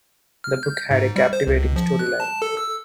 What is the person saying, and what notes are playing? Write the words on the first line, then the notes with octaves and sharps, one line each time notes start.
The book had a captivating storyline.
F6
G6
G#2
G3
C5
C#2
F3
F#6
A5
A4
E6